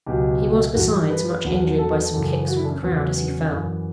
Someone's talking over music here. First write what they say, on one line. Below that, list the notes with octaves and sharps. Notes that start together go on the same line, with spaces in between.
He was, besides, much injured by some kicks from the crowd as he fell.
C#2 B2 F#3 G4
G2 E3 F#4
G4
G4
B4
E2 D3 F#3
A4
B4
A4
F#2 C#3 E3
F#4
E4
D4
C#4
E2 C#3 F#3 B3
C#4
B3
C#4
C#4
F#2 E3 C#4